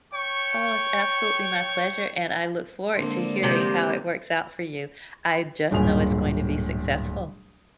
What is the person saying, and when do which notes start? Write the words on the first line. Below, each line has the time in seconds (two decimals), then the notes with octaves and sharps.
Oh, it's absolutely my pleasure, and I look forward to hearing how it works out for you. I just know it's going to be successful.
0.12 C#5 G5 C#6
2.96 D3 G#3 A#3 C4 D4 C5
3.43 G#2 C3 G4 G#4
5.71 D1 G1 A#2 G#4 F7